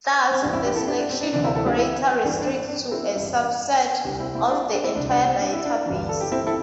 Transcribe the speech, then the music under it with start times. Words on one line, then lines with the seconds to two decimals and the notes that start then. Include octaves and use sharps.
Thus, the selection operator restricts to a subset of the entire database.
0.31 C4
0.42 A1 G2 G3 D4
0.53 C4 E4
0.65 D4 G4
0.76 E4 A4
0.87 D4 G4
0.99 D4
1.10 C4
1.21 D4
1.33 D2 C3 E3 D4
1.44 C4 E4
1.55 E4 A4
1.66 D4 G4
1.78 C4 E4
2.23 A1 G2 E3 D4
2.41 D4
2.46 C4
2.69 D4
2.91 C4 E4
3.14 A1 G2 G3
4.05 C2 C3 G3 D4 G4
4.20 C4 E4
4.35 C4 E4
4.50 D4 G4
4.73 D4 G4
4.84 C4 E4
4.95 C2 C3 G3 D4
5.10 D4
5.26 C4
5.41 D4
5.53 E4
5.65 D4
5.86 G1 G2 E3
6.09 A4
6.21 G4
6.32 C4 E4
6.47 E4 A4